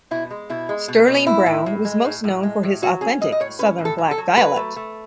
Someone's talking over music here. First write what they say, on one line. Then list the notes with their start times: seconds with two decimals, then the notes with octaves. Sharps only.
Sterling Brown was most known for his authentic southern black dialect.
0.11 B2 E4
0.31 G#3
0.50 B2 E4
0.69 G#3
0.88 B2
1.08 B2
1.27 A2 E4
1.46 A2
1.66 A2
1.85 G#3
2.05 A2
2.24 A2
2.43 G#3
2.63 A2
2.82 F#3 F#4
3.01 C#4 G#4
3.21 A2 D#5
3.32 D#5
3.40 A2 C#5
3.59 C#4 B4
3.79 A2
3.85 A4
3.98 F#3
4.11 A4
4.18 F#3
4.37 F#3 B4
4.56 A3
4.76 A3